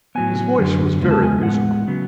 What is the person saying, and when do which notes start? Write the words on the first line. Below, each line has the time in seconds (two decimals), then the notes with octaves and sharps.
His voice was very musical.
0.15 A2 F#3 B3 G#5
0.59 F#2 D3 F#3
1.01 E2 C#3 G#3 B3
1.11 A5
1.22 G#5
1.43 A2 G#3 B3 F#5
1.87 C#3 F#3 B3